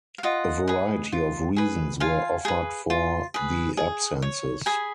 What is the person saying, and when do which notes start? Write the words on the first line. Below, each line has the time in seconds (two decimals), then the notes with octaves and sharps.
A variety of reasons were offered for the absences.
0.18 F5
0.23 F4 D#5 F#5
0.68 G#4 B4
1.12 F4
1.57 G#4 B4
2.00 F4 F5 G#5
2.45 G#4 B4
2.90 F4
3.34 G#4 B4
3.77 G#4
4.22 C#5
4.66 G#4 G#5 B5